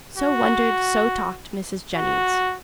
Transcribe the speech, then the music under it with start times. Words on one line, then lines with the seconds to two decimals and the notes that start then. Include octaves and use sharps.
So wondered, so talked Mrs. Jennings.
0.17 F#4
1.95 F#4